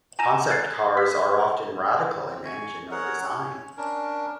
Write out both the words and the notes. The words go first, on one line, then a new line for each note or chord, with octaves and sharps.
Concept cars are often radical in engine or design.
G#5 A#5 A#6 D#7 E7
F#6 G#6 A6 C7
E6 B6
C4
G#5 C#6
G#4 A#4 C#5 F#5
C#4 C#5
C#4 D4 A#4